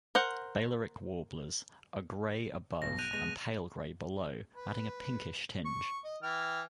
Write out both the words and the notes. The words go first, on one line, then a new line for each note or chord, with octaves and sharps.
Balearic warblers are grey above and pale grey below, adding a pinkish tinge.
A#4 C5 F#5
B1 G2 B2 A#6
F#6 G6 D7 D#7 F7
B2 G#3 A#6 D#7 F7
B4
C#6
D#5
E3 G5 F6